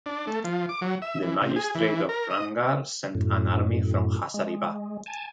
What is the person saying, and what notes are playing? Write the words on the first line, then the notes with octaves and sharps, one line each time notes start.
Then magistrate of Ramgarh sent an army from Hazaribagh.
D4
A3
F3
D6
F#3
E5
E3
C3
G#4
E3
A#4
D#5
F#2 A2
G#3
G#5 A5